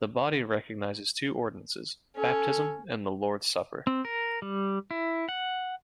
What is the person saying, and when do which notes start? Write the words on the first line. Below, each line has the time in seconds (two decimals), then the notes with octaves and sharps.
The body recognizes two ordinances - baptism and the Lord's supper.
2.17 C#4 A4
3.87 C4
4.05 A#4
4.42 G3
4.91 E4
5.29 F#5